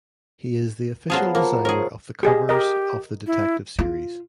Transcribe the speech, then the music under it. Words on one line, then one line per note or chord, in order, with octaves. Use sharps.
He is the official designer of the covers of the detective series.
F3 F#3 B3 F4 G#4
F3 A#3 A#4
G#4 A#4 C#5
G4 G#4 D#5
G4 A#4 D#5
E4
F4